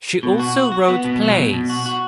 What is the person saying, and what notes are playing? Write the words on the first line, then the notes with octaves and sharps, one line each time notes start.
She also wrote plays.
B2
F#4
F#4
F#4
B3
B2
F#3
B2
B2
F#4
F#4